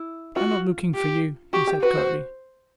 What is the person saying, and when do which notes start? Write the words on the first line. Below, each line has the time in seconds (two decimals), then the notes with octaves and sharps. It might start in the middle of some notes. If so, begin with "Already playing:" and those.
"I am not looking for you," he said curtly.
Already playing: E4
0.36 F4 F#4
0.95 G4
1.53 F#4 G4
1.67 G4
1.82 F#4 B4
1.97 C5